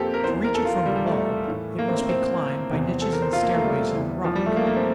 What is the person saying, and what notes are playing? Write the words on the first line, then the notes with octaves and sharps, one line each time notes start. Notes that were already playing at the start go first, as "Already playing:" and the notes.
To reach it from below, it must be climbed by niches and stairways in the rock.
Already playing: F2 A#3 C4 G4 A4
A#4
E2 E3 C5
C5
A#4
A4
F4
F4
G3
G3
A3
A2 E3
A#3
C4
C4
C4
E2 C3 E3
A4
A#4
C5
F4
A#3
A3
G3
E2 E3
F3
G3
A3
A#3
A#3
C4